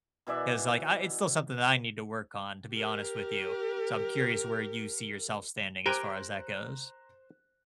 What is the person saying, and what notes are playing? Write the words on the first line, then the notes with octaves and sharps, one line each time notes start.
'Cause like, I It's still something that I need to work on, to be honest with you. So I'm curious where you see yourself standing as far as that goes.
B2 E3 D5 E5
G4 A#4
G4 A#4 C5 G5 G#5 A#5 F#6